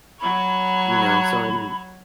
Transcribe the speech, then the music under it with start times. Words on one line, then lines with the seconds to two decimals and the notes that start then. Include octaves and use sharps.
you know, so I'm
0.20 F#3 C#5 B5